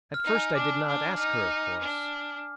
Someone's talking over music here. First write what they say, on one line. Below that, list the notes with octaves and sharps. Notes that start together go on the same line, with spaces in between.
At first I did not ask her, of course.
F6
D#4
G#5
D4 D6
D4
D#4 F6
D4